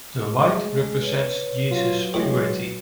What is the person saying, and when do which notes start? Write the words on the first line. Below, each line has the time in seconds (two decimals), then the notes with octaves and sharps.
The white represents Jesus' purity.
0.22 G#3 A3
1.01 B4 C#5
1.71 F#3 F4
2.14 A2 E3 G#3